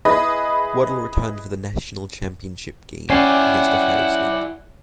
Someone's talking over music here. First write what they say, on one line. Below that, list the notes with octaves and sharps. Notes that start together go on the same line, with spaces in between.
Waddle returned for the National Championship game against Ohio State.
E4 G#4 B4 D#5 B5
C#4 E4 G4 D5 F#5 G#5 C7